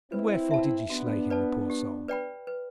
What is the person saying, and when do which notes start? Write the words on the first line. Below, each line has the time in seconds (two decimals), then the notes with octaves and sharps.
And wherefore did ye slay him, the poor soul?
0.12 C4 E4 B4
0.51 E5 A5
0.90 B3 D4 F#4
1.30 B4 D5 A5
1.70 G4
2.08 B4 D5 G5 B5
2.47 B4